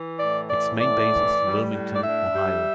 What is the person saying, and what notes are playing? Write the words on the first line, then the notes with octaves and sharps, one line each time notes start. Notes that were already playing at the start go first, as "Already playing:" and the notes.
Its main base is Wilmington, Ohio.
Already playing: E3
A2 D5
E3 D5
A2 D5
E3
G3
A2
D5
D4 E5
G3